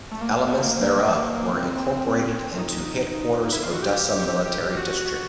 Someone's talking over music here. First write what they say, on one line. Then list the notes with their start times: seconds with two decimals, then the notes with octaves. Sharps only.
Elements thereof were incorporated into Headquarters Odessa Military District.
0.12 A3
0.21 A#3
0.31 A3
0.42 A#3
0.52 A3
0.63 A#3
1.05 A3
1.15 A#3
1.35 A#3
1.51 C4
2.28 C#4
2.38 C4
2.48 C#4
2.59 D#4
3.52 E4
3.63 F4
3.73 F#4
3.83 G4
4.45 G4
4.77 F#4